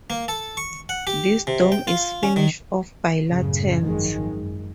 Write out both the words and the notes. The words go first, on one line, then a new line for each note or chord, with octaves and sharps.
This dome is finished off by lanterns.
A#3
A4
C#6
F#5
G4
C3
G5
F4
C#4
D#3
F#2 A2 C#3
G#1 F#2 D#3 F3 G#3
F#2